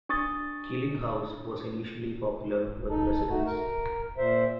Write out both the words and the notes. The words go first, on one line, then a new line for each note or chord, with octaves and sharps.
Keeling House was initially popular with residents.
D4 C#6 D#6 A6
D#4 A4
A3 D#4 F#4
A#4
A#2 C5 E5